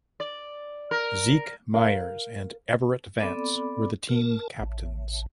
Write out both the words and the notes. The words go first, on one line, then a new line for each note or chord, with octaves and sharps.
Zeke Myers and Everett Vance were the team captains.
D5
A#4
A#4 F5
B3 C4 A4 D5 B5 D6
A#4 A5
A1